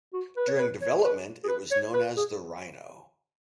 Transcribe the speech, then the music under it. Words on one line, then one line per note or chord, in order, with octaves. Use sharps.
During development, it was known as the "Rhino".
F#4
B4
C#5
B4
C#5
B4
G#4
B4
C#5
B4
G#4